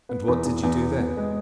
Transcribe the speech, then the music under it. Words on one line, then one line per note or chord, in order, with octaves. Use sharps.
"And what did you do then?"
B3
E2
E2
E2
B3
B3
G#3